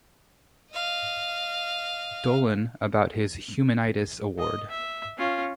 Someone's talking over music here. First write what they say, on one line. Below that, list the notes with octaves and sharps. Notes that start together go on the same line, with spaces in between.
Dolan about his "Human-itis" award.
D#5 F5
D#5
E5
C#4 F4